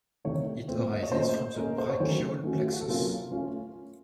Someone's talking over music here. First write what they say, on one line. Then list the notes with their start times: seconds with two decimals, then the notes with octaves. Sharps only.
It arises from the brachial plexus.
0.25 C3 D#3 A3 C#5
0.68 A#2 A3 C4
0.93 D#5
1.03 C#5
1.12 A#2 A3 C#4 A4 C5 D#5
1.56 A#3 C#4 A4 A#4 D#5
1.78 C5
1.90 C#5
2.00 D#3 F#3 A3 C#4 A4 C5
2.44 D#3 A3 C#4 F#4
2.67 F4
2.73 F#4
2.81 A4
2.88 C3 F#3 A#3 C#4 F4 A#4
3.31 A3 C#4 F4